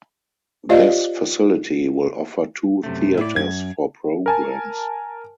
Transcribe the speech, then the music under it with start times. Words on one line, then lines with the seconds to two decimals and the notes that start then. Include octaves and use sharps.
This facility will offer two theaters for programs.
0.69 F4 G4 C5 D5 D#5 F5
2.83 F#2 C3 A3
3.17 A2 E4 D5
3.36 F#2 G#6
4.26 A#4 G#5 A5